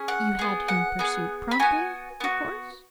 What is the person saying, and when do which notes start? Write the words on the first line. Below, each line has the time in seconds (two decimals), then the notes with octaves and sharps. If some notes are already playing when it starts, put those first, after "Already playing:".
"You had him pursued promptly, of course?"
Already playing: C#4 G#4
0.08 F#5
0.39 B3 G#4
0.68 F#5
0.99 B3 G#4
1.51 B5
1.59 B3 F#4 G#5
2.20 B3 F#4